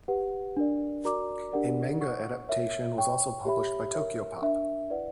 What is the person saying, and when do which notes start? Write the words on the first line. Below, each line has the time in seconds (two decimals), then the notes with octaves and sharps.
A manga adaptation was also published by Tokyopop.
0.08 G4 B4 F#5
0.57 D4 A#4 D5
1.05 F#4 A#4 D5 A#5 D6
1.53 D4 G4 A#4 D5 F#5
2.01 C#5 F#5 C#6
2.49 A#4 C#5 E5
2.97 C#5 G5 C#6
3.45 G4 C#5 E5 B5
3.94 A#4 C#5 E5
4.42 D4 A#4 E5
4.90 E4 B4 D5 F#5